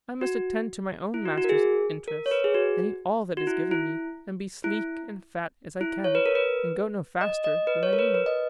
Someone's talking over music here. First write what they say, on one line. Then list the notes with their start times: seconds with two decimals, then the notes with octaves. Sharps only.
"I must attend to my own master's interests, and eat all that is given me, and be sleek and fat as I can, and go no faster than I need."
0.21 F#4
1.14 E4
1.26 F#4
1.38 F#4
1.44 A#4
1.49 G#4
2.08 A#4
2.26 C#5
2.31 B4
2.44 G#4
2.54 F#4
3.37 F#4
3.47 E4
3.71 E4
4.64 E4
5.81 E4
6.04 C#5
6.15 B4
6.26 A#4
6.35 B4
7.21 D#5
7.44 D#5
7.67 B4
7.83 C#5
7.93 A#4
7.99 B4
8.14 B4
8.26 D#5